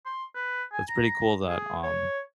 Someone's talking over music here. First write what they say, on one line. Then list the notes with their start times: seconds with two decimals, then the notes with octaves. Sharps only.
so it's pretty cool that, um
0.06 C6
0.35 B4
0.73 G#5
0.89 A#5
1.48 G#4
1.83 C#5